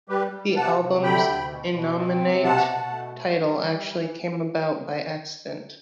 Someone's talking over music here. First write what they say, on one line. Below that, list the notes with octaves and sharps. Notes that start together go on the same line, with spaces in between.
The album's innominate title actually came about by accident.
G3 G4 B4
G3
C3 F#5 A5
C3
D3 G5 B5
D2
B2
B2
C4
C3
B2 F#5 A5
B2
A3
A3
G3
E3